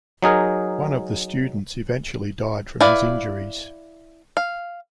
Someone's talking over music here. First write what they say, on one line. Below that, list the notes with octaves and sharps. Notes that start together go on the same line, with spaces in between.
One of the students eventually died from his injuries.
F#3 D#4 G#4 A#4
E4 B4 D5 F5
F5